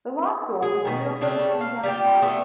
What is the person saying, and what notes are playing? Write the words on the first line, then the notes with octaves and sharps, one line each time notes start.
The law school was reopened in downtown.
G#4
B2 D#3
C#3 G3 A3 D4
F5
G3 F4 G4
D3 A3 B3 D4